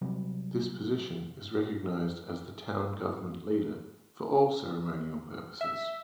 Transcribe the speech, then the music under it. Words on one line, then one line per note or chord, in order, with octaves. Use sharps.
This position is recognized as the Town government leader for all ceremonial purposes.
C3 F#3 G3
E5